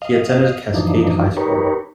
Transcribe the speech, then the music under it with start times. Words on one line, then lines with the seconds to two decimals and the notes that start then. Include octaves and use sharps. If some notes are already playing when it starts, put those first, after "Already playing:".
He attended Cascade High School.
0.02 D#5 F5
0.74 F#2 A2 E3 F3 D4 D#4
1.37 D#4 G4 A#4 B4 C#5